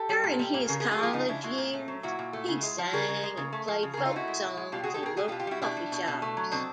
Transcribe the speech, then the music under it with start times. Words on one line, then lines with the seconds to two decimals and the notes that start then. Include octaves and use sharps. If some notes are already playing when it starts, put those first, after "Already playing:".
During his college years, he sang and played folk songs in local coffee shops.
Already playing: G4 A4
0.09 G3
0.24 A#2
0.39 G3
0.54 A#2
0.68 C#3 G#4 A#4
0.80 G#3 G#4 A#4
0.91 F#4 G#4
0.98 F3 F4 G4
1.13 C#3 D#4 F4
1.28 C#3 D4 E4
1.44 G#3 E4 F#4
1.58 A#2
1.74 A3
1.88 F#3
2.03 A#2 E4 F#4
2.19 A#2
2.33 A3
2.48 C#3
2.63 G#3
2.78 F3
2.93 C#3 G#4 A#4
3.08 C#3
3.23 G#3
3.37 C#3
3.53 A3
3.68 F3
3.83 C#3
3.93 C#3 G#4 A#4
4.05 D#4 F4
4.12 A3 E4 F#4
4.28 G#3
4.43 B2
4.57 G#3
4.72 B2 F4 G4
4.84 G#3 F#4 G#4
4.94 G4 A4
5.03 B2 G#4 A#4
5.17 G3 F#4 G#4
5.28 F4 G4
5.32 B2
5.39 F4 G4
5.47 G3 E4 F#4
5.62 B2 D4 E4
5.77 G3
5.92 B2
6.08 B2
6.22 A3
6.37 F#3
6.51 B2 C4 D4